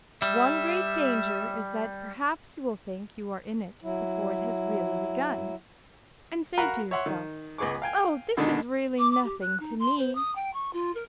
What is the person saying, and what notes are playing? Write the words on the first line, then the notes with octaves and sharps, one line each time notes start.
One great danger is that perhaps you will think you are in it before it has really begun, and say to yourself, 'Oh! this is really nothing to me.
G3 E5
F#3 E4
F#4 A#4 F5 A#5 B5
C#5 E5 F#5 C6
D#3
C#2 B3 G#4 C#6 D6
F5 G5 G#5
B2 D3 D#3 G#3 D4 D#4
D6
D6
G4
F#6
D#4
C6
C5
D#6
G5
C#6
F4
A#4